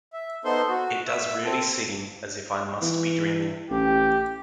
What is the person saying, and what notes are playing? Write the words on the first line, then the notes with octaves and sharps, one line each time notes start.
It does really seem as if I must be dreaming.
E5
B3 D#4 A4 C5 C6
F#4
E5 E6
C4 A4
E3
A1 G4